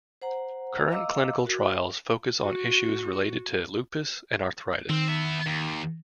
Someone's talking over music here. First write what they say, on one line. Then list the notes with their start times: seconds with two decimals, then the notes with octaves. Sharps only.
Current clinical trials focus on issues related to lupus and arthritis.
0.22 C5 F#5 A#5
0.91 D#5 F5 A#5 D6 E6
1.42 F#4 A#4
2.43 F#4
4.90 D#3 C4
5.08 B3 E5
5.46 D#2